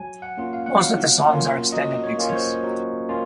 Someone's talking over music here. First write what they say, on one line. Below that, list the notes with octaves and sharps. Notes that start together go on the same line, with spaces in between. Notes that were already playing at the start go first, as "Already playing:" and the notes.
Most of the songs are extended mixes.
Already playing: F#3 G#5
F#5
A#3 C#4 F4
F5
F#5
F#3 F5
A#3 C#4 F4
F#3 D#5
C#5
A#3 C#4 F4
C#5
C5
F#3
A#3 C#4 F4